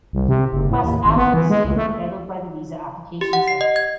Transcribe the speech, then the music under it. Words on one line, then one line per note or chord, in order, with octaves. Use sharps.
Requests after this date are handled by the visa application centre.
C2
C3
F#1
A2
D#2
G#1
B3
E3
G#3
C#2
A3
G4
F#5
C7
D#5
G#6